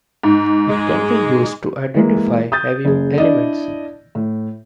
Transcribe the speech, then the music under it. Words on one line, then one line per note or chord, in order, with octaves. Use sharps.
It can be used to identify heavy elements.
G#2
G#3
E3 G#3 A#3
D#6 G6 A6
F#1 G#4
D4 E4 D5 D#5
A2